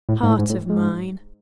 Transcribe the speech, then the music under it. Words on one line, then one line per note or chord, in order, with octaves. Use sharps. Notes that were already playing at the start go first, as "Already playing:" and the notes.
Heart of mine!
A2
G#2
A2
G#2
A2
G#2